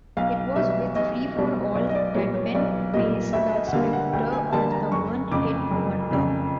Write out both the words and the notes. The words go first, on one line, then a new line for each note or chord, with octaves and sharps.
It was with "Free-for-All" that Penn faced the specter of the one-hit wonder.
B1 F5
B2 G3 E5
B1 D#5
B2 G3
B1 D5
D#5
D5
A#2 G3 C#5
C#5
B1 D5
A#2 G3 D#5
D2 E5
D#5
F#5
D3 G3 A#3 F5
F#5
D2 G5
G#5
D3 G3 A#3 A5
A#5
F#1 C#6
F2 C#3 D6
F#1
F2 C#3